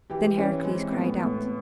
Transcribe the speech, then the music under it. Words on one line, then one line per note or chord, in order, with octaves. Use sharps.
Then Heracles cried out.
E3 G4
E3 C#4
G#3 C4
A2 B3
B3
A2
B3